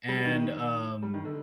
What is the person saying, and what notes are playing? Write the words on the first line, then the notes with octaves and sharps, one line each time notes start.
and, um,
G3
D#3
G3
D#3
D3